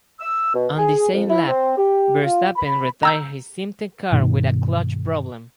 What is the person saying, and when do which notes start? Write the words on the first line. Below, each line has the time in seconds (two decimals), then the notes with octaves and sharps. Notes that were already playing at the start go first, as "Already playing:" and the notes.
On the same lap, Verstappen retired his Simtek car with a clutch problem.
0.19 E6
0.54 B2
0.77 G#4
1.13 F2
1.30 E4
1.47 C4
1.77 G4
2.23 F4
2.56 B5
3.03 A#5 E6 G6
4.12 G2 B2 D#3